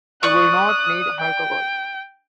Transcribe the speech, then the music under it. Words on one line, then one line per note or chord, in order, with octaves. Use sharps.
You will not need alcohol.
D5 C#6 D#6 F#6
G5